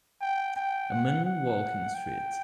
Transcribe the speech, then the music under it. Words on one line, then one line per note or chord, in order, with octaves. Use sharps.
A man walks on the street.
G5
G5
F#5
F#5
G5